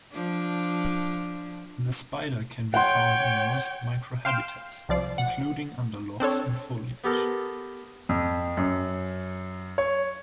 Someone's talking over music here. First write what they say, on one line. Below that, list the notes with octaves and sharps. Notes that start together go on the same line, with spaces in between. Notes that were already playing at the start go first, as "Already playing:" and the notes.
The spider can be found in moist microhabitats, including under logs and foliage.
F3 D4
C#5 F#5 G5 C6
F5 G5 C6 E7
C2 F3 D5 C7
F#5
C4 D4 A4 C#5
B3 G4 A4 A#4
F2
F#2
C#5